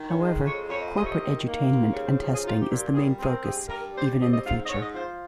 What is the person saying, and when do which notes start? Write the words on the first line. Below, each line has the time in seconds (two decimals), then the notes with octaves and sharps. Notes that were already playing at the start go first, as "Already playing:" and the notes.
However, corporate edutainment and testing is the main focus even in the future.
Already playing: D#3
0.11 C#5
0.19 G#3
0.28 D#5
0.44 F2 C#5
0.69 F2 C#5
0.81 D#5
0.94 C3 D#5
1.02 C#5
1.10 D#5
1.19 D#3
1.44 A#3
1.69 D#2
1.93 C#3 C#5
2.07 C5
2.19 F3
2.31 G#4
2.44 D#4 F4
2.61 G4
2.69 A#2
2.77 G4
2.94 G3 G#4
3.07 A#4
3.19 C4 G#4
3.31 A#4
3.43 G2 G#4
3.56 G#4
3.69 G2 A#4
3.81 A#4
3.93 G3 C5
4.19 C4 D#5
4.31 D#5
4.43 G#2 F5
4.65 D#5
4.68 G#2 C#5
4.81 D#5
4.93 F3 C5